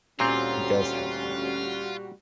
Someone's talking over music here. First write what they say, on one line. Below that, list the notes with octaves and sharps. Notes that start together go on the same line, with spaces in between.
He does have heart!
D2 A#2 G3 C4 C#4 F4 F#4